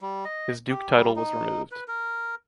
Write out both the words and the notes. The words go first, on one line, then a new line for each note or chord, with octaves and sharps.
His duke title was removed.
G3
D#5
G4
G3
D#4
B4
A#4